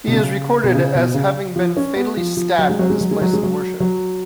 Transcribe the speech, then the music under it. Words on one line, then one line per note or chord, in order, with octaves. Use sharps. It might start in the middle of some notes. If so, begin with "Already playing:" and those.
He is recorded as having been fatally stabbed at his place of worship.
B2
C#3
B2
C#3
B2
C#3
F3
C#4
B3
F3
F3
F#3
G#3
F#3
G#3
F#3
G#3
F#3
G#3
F#3
F#3